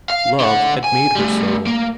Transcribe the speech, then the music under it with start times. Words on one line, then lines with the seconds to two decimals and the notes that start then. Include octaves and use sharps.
Love had made her so.
0.10 F5
0.40 D3 F#5
0.84 G#5
1.15 G3 A3
1.67 A#3